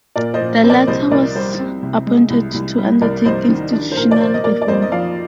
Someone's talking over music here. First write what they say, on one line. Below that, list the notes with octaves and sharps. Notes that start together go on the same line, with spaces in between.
The latter was appointed to undertake institutional reform.
A#2 A#4 D5
C5 D#5
A#2
C4 C5
A#4 D5
C2 C5 D#5
C2 A#4 D5
G3 C5
C4
C3
G#3
C2
C2
G3
C2 A#4 D5
C2 C5 D#5
D#3
D4
C5
A#2 A#4
D5
A#3 C5
D#5
A#3 A#4 D5
D5
F2 C5 D#5
D#5
F3 D5 F5